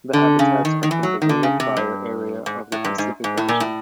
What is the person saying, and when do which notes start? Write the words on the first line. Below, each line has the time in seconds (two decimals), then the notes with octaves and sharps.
The habitats are from the Ring of Fire area of the Pacific Ocean.
0.13 D3
0.39 C#3
0.65 D#3
0.83 D#3
0.91 E3
1.03 F#3
1.22 D#3
1.29 D3
1.43 C#3
1.60 C3
1.77 G2
2.46 G#2
2.72 A2
2.84 G2
2.98 G#2
3.24 G#2
3.37 A2
3.48 A#2
3.60 A2